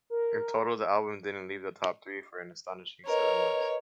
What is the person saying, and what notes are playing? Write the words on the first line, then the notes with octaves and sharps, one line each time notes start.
In total, the album didn't leave the top three for an astonishing seven months.
A#4
A#4 B4 C#5 D#5